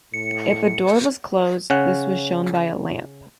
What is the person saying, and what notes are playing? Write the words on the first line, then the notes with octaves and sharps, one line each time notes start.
If a door was closed, this was shown by a lamp.
A2 C#7
C#3 C#4 F#5